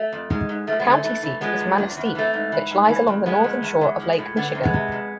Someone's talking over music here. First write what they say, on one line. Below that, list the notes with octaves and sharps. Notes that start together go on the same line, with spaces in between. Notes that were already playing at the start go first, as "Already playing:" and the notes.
The county seat is Manistique, which lies along the northern shore of Lake Michigan.
Already playing: A3
F2
G#2 G#3
G#2
F3 A3
G#3 B3
D3
A3
E3 A3
E3
F3 G#3 B3
E2
E2 D4
C4
E2
B3
E3 A3 C4
G#2
E3
G#2
E3
F2
F2 G#3 B3
F2
E2
E2
F3
A2
D3 B3
E2 C4
G#3 B3
C3
F2